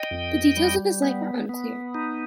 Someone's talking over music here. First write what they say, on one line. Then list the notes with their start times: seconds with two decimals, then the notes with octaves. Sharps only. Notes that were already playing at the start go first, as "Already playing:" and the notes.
The details of his life are unclear.
Already playing: D#5 G5
0.11 F2
0.57 G3
1.02 B3
1.49 B3
1.95 D#4